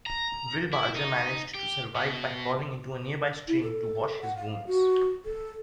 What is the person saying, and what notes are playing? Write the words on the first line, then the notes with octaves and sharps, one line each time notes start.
Wilbarger managed to survive by crawling into a nearby stream to wash his wounds.
A#5
E4
D#4
G4
B2
E4
A4
F#5
F5
F#4
A4